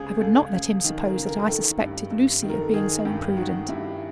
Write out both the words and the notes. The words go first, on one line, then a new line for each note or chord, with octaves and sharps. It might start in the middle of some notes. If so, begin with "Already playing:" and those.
I would not let him suppose that I suspected Lucy of being so imprudent.
Already playing: C#2 C3 G#4
C#2 A4
C#2
D#3
A#4
C#2
A#4
A#4
D#3 A4
G2
G2
D#3
A#4
A4
D#3 G#4
G2 G4
D#3 F#4
G2 E4